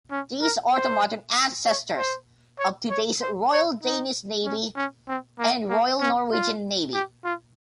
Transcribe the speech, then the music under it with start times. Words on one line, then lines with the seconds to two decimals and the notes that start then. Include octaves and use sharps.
These are the modern ancestors of today's Royal Danish Navy and Royal Norwegian Navy.
0.11 C#4
0.42 A#4
0.73 C5
1.66 C#5
1.97 C5
2.59 C#5
2.90 C#5
3.22 C5
3.53 C#5
3.84 D#4
4.45 C#4
4.76 C#4
5.08 C4
5.39 A#3
5.69 A#3
6.01 C#4
6.32 F4
6.94 G4
7.25 F4